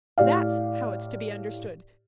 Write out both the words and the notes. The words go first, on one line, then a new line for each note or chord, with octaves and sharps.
That's how it's to be understood!
A2 G4 D5 F5